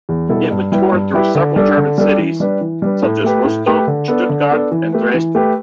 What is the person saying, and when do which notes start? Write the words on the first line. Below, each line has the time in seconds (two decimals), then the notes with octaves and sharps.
It would tour through several German cities, such as Rostock, Stuttgart, and Dresden.
0.09 E2
0.29 B2 G3 E4 A4
0.51 G2
0.72 G3 E4 G4 B4
0.92 G2
1.14 G3 E4 G4 B4
1.35 D3
1.56 G3 D4 A4
1.77 D3
1.98 G3 D4 A4
2.19 E3
2.40 G3 D4 B4
2.61 E3
2.82 G3 D4 B4
3.03 A2
3.24 A3 G4 B4
3.45 A2
3.67 A3 G4 B4
3.87 D3
4.08 B3 D4 A4
4.29 D3
4.50 B3 D4 A4
4.71 E3
4.93 A3 G4 B4
5.14 E3
5.35 A3 G4 B4